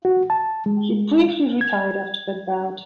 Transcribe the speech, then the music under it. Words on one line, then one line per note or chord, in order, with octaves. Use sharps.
He briefly retired after that bout.
F#4
A5
G#3
G#6